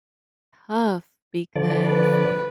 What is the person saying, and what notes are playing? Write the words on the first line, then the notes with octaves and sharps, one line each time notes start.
tough because
D3 F3 D5
B4